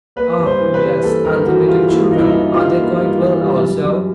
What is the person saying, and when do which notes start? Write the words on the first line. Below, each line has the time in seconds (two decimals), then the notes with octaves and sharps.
Ah, yes! and the little children-are they quite well also?
0.16 A#3 B4
0.38 G2
0.46 C5
0.59 E3
0.74 B4
0.82 G3
1.02 A#3 A4
1.24 G2 A#4
1.45 E3 F#4
1.68 G3 F4
1.89 A#3 E4
2.11 G2 D#4
2.18 E4
2.25 D#4
2.32 E3 E4
2.54 G3 F4
2.76 A#3
2.98 G2
3.19 E3
3.40 G3
3.62 F#2
3.83 F#2